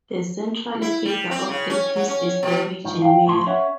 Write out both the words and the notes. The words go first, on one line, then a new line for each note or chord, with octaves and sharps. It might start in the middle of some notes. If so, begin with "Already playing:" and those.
The central figure of the piece is the Virgin Mary.
E4
G3
C4
C#3
C#4
F#3
C#4
B2
G#2 D#3 F3
F5 G5
D2 A2 C6
C#4 C#5 E5 F#5